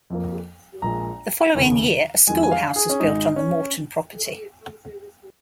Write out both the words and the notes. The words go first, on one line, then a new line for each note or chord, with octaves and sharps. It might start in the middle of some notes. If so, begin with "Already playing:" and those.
The following year a schoolhouse was built on the Morton property.
F2 F3 A#3
A#1 A#2 G#3 A#5
F1 D#2 C#3
F2 D#3 G#3 G#5
G#5
F5
G#4
C#4
G#1 G#2 G#3 D#4
C#4